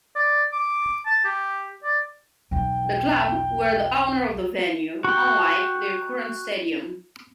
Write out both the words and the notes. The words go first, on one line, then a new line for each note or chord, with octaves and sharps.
The club were the owner of the venue, unlike their current stadium.
D5
D6
A5
G4
D5
B1 E2 G5
F#4 G5